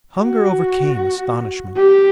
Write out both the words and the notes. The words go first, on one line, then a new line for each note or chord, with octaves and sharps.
Hunger overcame astonishment.
F#4
G4